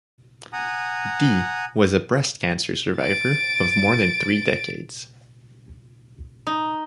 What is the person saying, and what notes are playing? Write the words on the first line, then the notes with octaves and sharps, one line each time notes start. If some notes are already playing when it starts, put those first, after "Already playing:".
Dee was a breast cancer survivor of more than three decades.
F#5 G#5 A#5 D#6
A6 D7
D#4